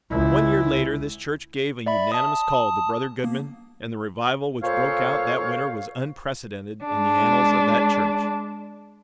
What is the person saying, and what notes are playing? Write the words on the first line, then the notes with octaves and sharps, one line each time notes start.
One year later this church gave a unanimous call to Brother Goodman and the revival which broke out that winter was unprecedented in the annals of that church.
C#2 E4
D5 E5 B5
A5 D#6
A#3
A#2 A4 C5 C#5 F5
G#3 D4